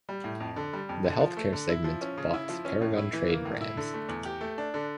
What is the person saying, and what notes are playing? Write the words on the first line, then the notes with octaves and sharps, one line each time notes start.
The Healthcare segment bought Paragon Trade Brands.
G3
A2
F2
D3
G3
F2
D3
F3
A3
D3
E4
F3
C#4
C#3
E4
F3
C#4
A2
E4
E3
A#3
A2
E4
D3
A3
E2
G4
A3
D4
D3